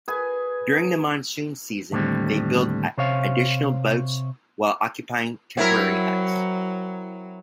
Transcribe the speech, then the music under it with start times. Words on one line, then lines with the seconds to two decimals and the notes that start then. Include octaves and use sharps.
During the monsoon season, they build additional boats while occupying temporary huts.
0.08 G#4 B4 G#5
1.91 D#2 A2 D3 G3 C4
2.98 C3 C5 C#5 F5
5.57 F#3 C4 E4 A#4